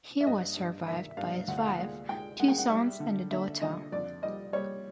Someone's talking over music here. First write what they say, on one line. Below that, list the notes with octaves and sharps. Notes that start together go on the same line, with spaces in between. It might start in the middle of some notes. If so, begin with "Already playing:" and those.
He was survived by his wife, two sons and a daughter.
E5
G2 D#5
G2
D#3 E5
G2 F5
D2 F#5
F5
F#5
G#3
G#3 G5
G#3 F#5
G5
F#5
G3 E5
D3
D3 E5
D3 D#5
F2 D5
G3 D#5
G3 C#5